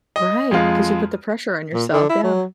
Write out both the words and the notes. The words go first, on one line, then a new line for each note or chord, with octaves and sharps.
Right, 'cause you put the pressure on yourself, yeah.
D#5
F2 G#3 F4
A#2
D3
E4
F#3